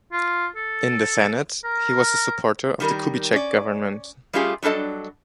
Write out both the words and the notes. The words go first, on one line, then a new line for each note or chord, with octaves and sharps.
In the Senate, he was a supporter of the Kubitschek government.
F4
A4
A#4
D#3 G3 A#4
C#4 D5
G3 A3 C#4 F4 G4 G#4
F#3 G3 D4 A4 D#5